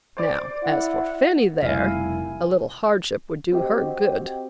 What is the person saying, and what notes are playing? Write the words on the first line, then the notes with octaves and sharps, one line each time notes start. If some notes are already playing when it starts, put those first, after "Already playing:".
Now as for Fanny there, a little hardship would do her good.'
C5 D5 D6
E4 F#5
F1 B2 G3 E4 A#4 F5 G#5
G#5
C4 F#4 G4 D#5